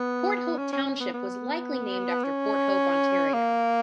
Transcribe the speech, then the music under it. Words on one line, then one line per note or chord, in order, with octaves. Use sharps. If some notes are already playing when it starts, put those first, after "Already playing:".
Port Hope Township was likely named after Port Hope, Ontario.
Already playing: B3
C#4
C#4
C#4
B3
B3
C#4
A#3